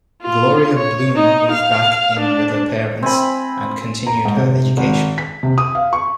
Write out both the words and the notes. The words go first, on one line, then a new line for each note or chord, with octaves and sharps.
Gloria Bloom moved back in with her parents and continued her education.
F4
C#5
D#4
F5
D4
C4 G#5 B5
A#5
G#2
C3
G#1
B6
C3
D#6
F5
C#6